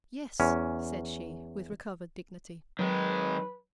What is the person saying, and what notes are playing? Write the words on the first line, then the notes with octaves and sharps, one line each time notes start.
'Yes!' said she, with recovered dignity.
E2 C#4
D#3 F#3 G#3 B4